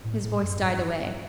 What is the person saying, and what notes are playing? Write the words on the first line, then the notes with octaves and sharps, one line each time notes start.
His voice died away.
A2
A2
F#2
G#2